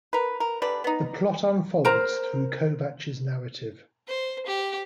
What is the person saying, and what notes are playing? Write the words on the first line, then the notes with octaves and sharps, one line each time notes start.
The plot unfolds through Kovacs' narrative.
A#4 B4
A#4
D3 G3 B4 D5
B3 D#4
A#4 C5 A#5
C5
G4